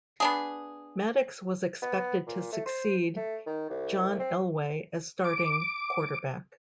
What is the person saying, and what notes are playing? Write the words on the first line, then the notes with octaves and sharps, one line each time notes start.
Maddox was expected to succeed John Elway as starting quarterback.
B3 D4 G#4
B3
A#2
A3
C5
A3
D#3
C2
C4
D6